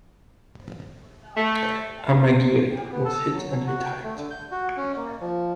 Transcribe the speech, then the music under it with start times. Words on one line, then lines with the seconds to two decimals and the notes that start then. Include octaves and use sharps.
"Amagiri" was hit and retired.
1.37 A3
2.92 B3
3.05 A4
3.33 F#3
3.67 F#4
3.84 G5
4.03 A3
4.16 D3
4.31 G6
4.52 F#4
4.77 C#4
4.97 A#3
5.21 F3